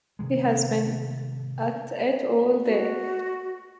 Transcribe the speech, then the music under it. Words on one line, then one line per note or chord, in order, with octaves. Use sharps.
He has been at it all day.
C3 D#3 G#3
F#4